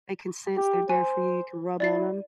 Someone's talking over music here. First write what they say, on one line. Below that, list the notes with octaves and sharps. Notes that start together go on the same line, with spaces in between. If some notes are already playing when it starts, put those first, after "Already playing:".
They can sense they're there for you; you can rub on 'em,
G4
C5 G#5
E4 D5 A6 C7